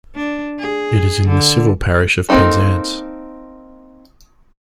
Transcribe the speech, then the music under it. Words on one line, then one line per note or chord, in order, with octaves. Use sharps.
It is in the civil parish of Penzance.
D4
G#4
D3
A#3 C4 D4 D#4 A4